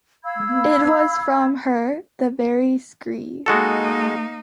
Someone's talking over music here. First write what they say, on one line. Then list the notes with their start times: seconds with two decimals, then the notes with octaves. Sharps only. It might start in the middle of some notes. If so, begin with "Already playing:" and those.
It was from her, the very screed.
0.24 F5 B5 E6 G#6
3.46 G#3 A#3 D#4 F#4 A4